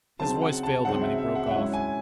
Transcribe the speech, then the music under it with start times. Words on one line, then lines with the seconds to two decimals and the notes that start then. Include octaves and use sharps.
His voice failed him, and he broke off.
0.19 C#3 F#3 C4 D#4 A5
0.41 F#5
0.63 A5
0.85 C#3 F#3 C4 D#4 F#5
1.01 E5
1.18 E5
1.35 F#5
1.46 E5
1.51 G#2 F#3 C#4 E4 F#5
1.73 G#5